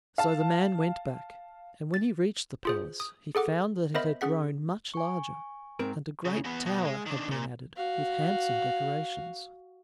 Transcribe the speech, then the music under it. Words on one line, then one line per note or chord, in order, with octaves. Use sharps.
So the man went back, and when he reached the palace he found that it had grown much larger, and a great tower had been added, with handsome decorations.
F5 A5
A6
F4 G#4 C5
D#6
G#4 A4 F#5 D6
B3 A#4 C5 D#5 E5 B5
C#4 G#4 F#5 B6
G#5 C#6
G#2 C4 A#4
C#3
E2 B3
B2
G#3
D#3 D4
A#2
F#4 F5